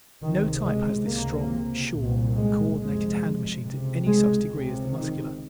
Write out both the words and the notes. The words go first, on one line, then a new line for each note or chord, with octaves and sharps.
No type has this strong, sure, co-ordinated hand-machine to any such degree as the Muscular.
C#2 C3 D#3
G#3
C#2 C3 A#3
C2 A#2
G#3
F2 C3 G#3
C#2 C3
G#3
C#2 C3
D#3